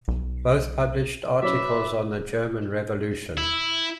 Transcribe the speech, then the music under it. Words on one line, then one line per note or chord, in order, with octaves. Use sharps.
Both published articles on the German Revolution.
B1
F#3 C#4 B4 D5 E5
E4